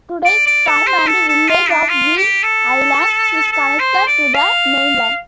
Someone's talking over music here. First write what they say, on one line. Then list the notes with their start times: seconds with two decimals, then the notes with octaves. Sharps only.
Today's town and village of Green Island is connected to the mainland.
0.25 D5
0.46 D5
0.67 A4
0.87 C5
1.07 A4
1.28 A4
1.48 F4
1.69 D4
1.89 F4
2.16 G4
2.43 A4
3.52 A4
3.79 C5
4.07 D5
4.34 F5